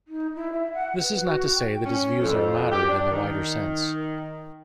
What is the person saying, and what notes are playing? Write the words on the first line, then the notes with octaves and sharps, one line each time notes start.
This is not to say that his views are moderate in the wider sense.
D#4
E4
E5
F#5
B4
F#4
G5
C#4
F2
G4
D4
D#3